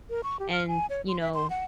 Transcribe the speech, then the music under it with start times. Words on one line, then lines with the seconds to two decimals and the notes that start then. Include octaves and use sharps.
and, you know
0.10 A#4
0.23 C#6
0.40 G4
0.53 F6
0.68 G#5
0.90 C#5
1.08 C6
1.21 E5
1.34 C6
1.50 F#5